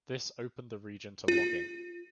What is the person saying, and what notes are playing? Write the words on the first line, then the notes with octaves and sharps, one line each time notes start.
This opened the region to logging.
F4